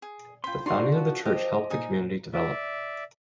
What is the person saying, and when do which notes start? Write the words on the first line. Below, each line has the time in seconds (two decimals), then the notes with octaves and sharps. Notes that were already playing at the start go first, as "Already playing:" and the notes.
The founding of the church helped the community develop.
0.02 G#4
0.44 C#4 F4 G5 B5 C6
0.66 D4 D#4 F#4 C5 F5 C6
0.92 F3 F#4
1.25 G4 C5 D#5
1.70 A#2 D#4 G#5 D#6
2.33 D5 E5